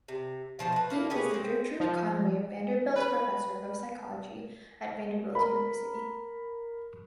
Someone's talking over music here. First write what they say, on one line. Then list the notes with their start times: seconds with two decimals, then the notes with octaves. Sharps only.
He is the Gertrude Conaway Vanderbilt Professor of Psychology at Vanderbilt University.
0.08 C3
0.59 B2 F3 C5 A5
0.72 A3 B4
0.90 A#3 E4 A4
1.10 C#4 G4 G#4 B4
1.31 G#3 C4
1.80 F3
2.96 B4
5.35 A#4 B5